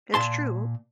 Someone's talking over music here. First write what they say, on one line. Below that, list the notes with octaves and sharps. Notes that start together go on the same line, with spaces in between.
It's true.
A#2 A5 C6